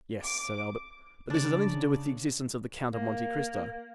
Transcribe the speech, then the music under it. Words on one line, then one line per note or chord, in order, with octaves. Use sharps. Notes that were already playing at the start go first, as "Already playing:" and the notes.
"Yes," said Albert, "but this has nothing to do with the existence of the Count of Monte Cristo."
D6
C#3 D4 D5
A#3